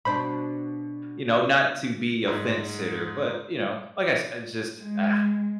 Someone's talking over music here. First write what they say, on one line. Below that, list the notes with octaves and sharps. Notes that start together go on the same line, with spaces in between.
you know, not to be a fence-sitter, but, you know, like I sa it's just ugh,
B2 D4 C5 B5
G#2
G#3